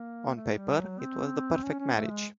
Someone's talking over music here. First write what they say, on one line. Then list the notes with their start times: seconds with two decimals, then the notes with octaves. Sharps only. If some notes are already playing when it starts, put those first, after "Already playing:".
On paper it was the perfect marriage.
Already playing: A#3
0.36 A3
0.58 G3
0.79 F#3
0.99 C4
1.63 C#4
1.79 C#4
1.95 A3
2.10 G#3